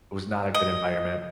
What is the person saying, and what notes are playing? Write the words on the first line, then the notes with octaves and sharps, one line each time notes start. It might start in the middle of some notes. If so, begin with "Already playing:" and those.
It was not a good environment.
D#5